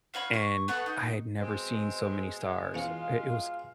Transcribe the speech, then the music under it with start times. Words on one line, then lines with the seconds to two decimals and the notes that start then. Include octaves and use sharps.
and I had never seen so many stars. It it was
0.14 F4 C#5 F#5 B5
0.33 C#6
0.68 B3 A4 F#5 C#6
0.86 D#4
1.40 B2 G#3 C4
2.74 E2 C#4 F4 F5